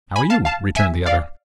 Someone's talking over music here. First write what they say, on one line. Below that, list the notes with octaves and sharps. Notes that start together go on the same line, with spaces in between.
"How are you?" returned the other.
G#5 B5
F5 A5
F5 A5
E5 G#5
D5 F5